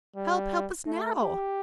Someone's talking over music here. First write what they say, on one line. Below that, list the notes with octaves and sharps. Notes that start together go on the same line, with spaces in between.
Help, help us now!'
G3
A3
G4